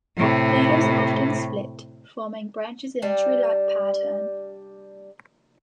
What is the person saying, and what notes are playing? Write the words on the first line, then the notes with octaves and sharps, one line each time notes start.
Leaders often split, forming branches in a tree-like pattern.
A2 C3
G3 D4